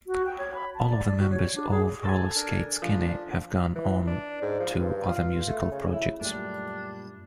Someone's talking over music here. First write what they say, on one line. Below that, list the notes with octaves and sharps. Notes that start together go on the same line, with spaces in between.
All of the members of Rollerskate Skinny have gone on to other musical projects.
F#4
G5
C#5
B5
A5
D5
D5
F#4
C#5
D4
G#4
A4 G#5
D4 A#4
F3 D4
E3
D4
G#2
F3
G2
F4
A3
C#3
E4
F#2 A#2 G3 A3 D4